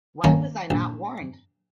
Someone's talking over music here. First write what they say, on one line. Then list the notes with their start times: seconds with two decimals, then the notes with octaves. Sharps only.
Why was I not warned?
0.24 D#3 A#3 C#4
0.70 A#1